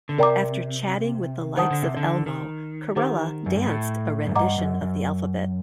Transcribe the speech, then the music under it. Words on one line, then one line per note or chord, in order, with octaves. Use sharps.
After chatting with the likes of Elmo, Corella danced a rendition of the alphabet.
D3
C3 A#4 D5 G5 A#5 D6
D#3 C5 F#5 A5 D#6
D3
C3
D3
D#3
D#3 G4 C5 F#5 A#5 D6
F#2
G2
A2
F#2
G2 D#5 F#5 A#5 D6
F#2
F#2